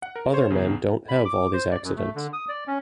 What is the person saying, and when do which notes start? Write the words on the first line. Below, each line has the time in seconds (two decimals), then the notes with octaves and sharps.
Other men don’t have all these accidents.
0.02 F#5
0.16 A#4
0.33 C5 C#5
0.50 E2 C#3
1.09 B5
1.25 D6
1.53 C5
1.71 D5
1.84 F#2
1.97 A3
2.16 D3
2.33 D#6
2.49 D5
2.67 C#4